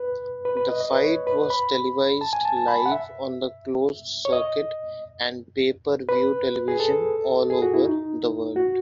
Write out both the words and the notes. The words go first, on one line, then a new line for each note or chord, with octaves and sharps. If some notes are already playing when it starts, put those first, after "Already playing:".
The fight was televised live on closed-circuit and pay-per-view television all over the world.
Already playing: B4
B4
B4
D#5
D#5
B4
C#5
B4
B5
A5
G#5
A5
A5
B5
F#5
E5
C#5
D#5
B4
G#4
A4
G#4
F#4
E4
D#4
F#4